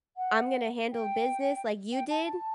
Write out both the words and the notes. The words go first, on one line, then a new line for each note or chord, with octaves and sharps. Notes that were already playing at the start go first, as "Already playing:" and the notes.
I'm gonna handle business like you did,
F#5
G5
G5
A5
A5